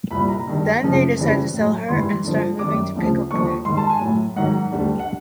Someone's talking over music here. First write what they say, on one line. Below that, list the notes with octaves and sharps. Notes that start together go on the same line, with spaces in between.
Then they decide to sell her and start moving to pick up point.
C2 A#2 G3 B5
A#5
G2 D#3 G3
F#2 C#3 F3
F2 C#3 E3 G3
A2 F#3
G#2 E3 G3 C6
G2 D3 F3
F#2 D#3 G3 D6
D2 C#3 F3
D#2 D3 F3 C#6
G#2 D#3 G3 C6
A5
G#5
A2 F#3
G#2 D#3 F#3 F#5
D2 D3 G3
F#5